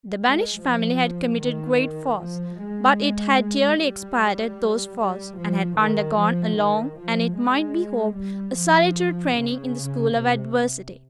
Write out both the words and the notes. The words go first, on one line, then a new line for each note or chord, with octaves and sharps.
The banished family had committed great faults; but it had dearly expiated those faults, and had undergone a long, and, it might be hoped, a salutary training in the school of adversity.
G#3
F3
D#3
F3
G#3
G3
G3
F3
D#3
F3
D#3
F3
G#3
G3
F3
C#3
C3